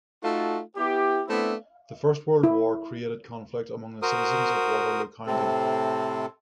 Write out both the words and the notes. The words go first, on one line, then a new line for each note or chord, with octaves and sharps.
The First World War created conflict among the citizens of Waterloo County.
A3 D#4 F4 F#4 A4
B3 E4 G4
A3 B3 C4 D4 E4
E4
F#4 A#4 C5 D#6
A2 C3 C4 A4